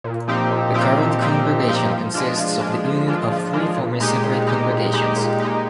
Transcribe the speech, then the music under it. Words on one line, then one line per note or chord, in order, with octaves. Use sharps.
The current congregation consists of the union of three former separate congregations.
A#2
F3 C4 D#4 G4
A#2
F3 C4 D#4 G4
A#2
F3 C4 D#4 G4
A#2
F3 C4 D#4 G4
F3
G#3 D4 F4
F3
G#3 D4 F4
F3
G#3 D4 F4
F3
G#3 D4 F4
A#2
G#3 D#4 G4
A#2
G#3 D#4 G4
A#2
G#3 D#4 G4
A#2
G#3 D#4 G4